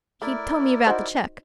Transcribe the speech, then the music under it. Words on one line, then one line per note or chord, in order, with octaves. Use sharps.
He told me about the cheque.
A3 E4 A#4 D5
D#4 F#4 C5